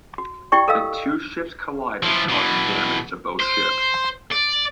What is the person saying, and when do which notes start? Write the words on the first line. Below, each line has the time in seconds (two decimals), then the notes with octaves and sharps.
The two ships collided causing damage to both ships.
0.18 F#4
0.52 E4 G4 D5 G5 C#6
0.68 A4 A#4 D#5 F5 E6
2.03 F3 E4
2.29 B2 E3
3.40 C5
4.32 D5